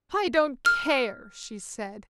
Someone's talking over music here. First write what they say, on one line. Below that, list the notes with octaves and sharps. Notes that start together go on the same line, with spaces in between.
"I don't care," she said.
F6